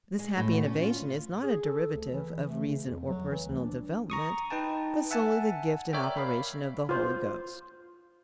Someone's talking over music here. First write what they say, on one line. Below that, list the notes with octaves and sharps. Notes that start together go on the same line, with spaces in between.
This happy innovation is not a derivative of reason or personal development, but solely the gift and operation of the Holy Ghost.
G#3
A2
D2
C#4
F4
G#4
A4
D2
E3
E3
A3
C#3
F2
F#3
E3
D2
D4
A#5 C#6 D#6
D#4 B4 G5 A5
E5 F#5 G#5 A5
A#4 C#5 D5 E5 G5
F5 B5
F4 C5